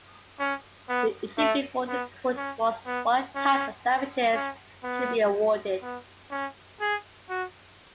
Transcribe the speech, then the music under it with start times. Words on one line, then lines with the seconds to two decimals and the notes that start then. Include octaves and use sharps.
The issue before the court was what type of damages should be awarded.
0.39 C#4
0.89 B3
1.38 A3
1.88 B3
2.37 C#4
2.86 B3
3.35 C#4
4.34 C#4
4.83 B3
5.82 B3
6.31 C#4
6.80 G#4
7.29 F#4